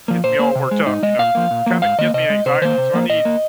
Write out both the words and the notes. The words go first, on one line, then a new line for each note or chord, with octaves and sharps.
gets me all worked up, you know. Ki kinda gives me anxiety. So I need, you
F3 A#3
A#2 C5
A#3
C3
G#3
G#2 D#4
G#3 D#5
A#2 F5
F3 A#3
A#2
F3 A#3
G#2 F5
D#3 A#3 D#5
C3 D#5
G#3
C3 C5
D#3 A#3 C5
C3
F3 A#3
A#2 D#5
A#3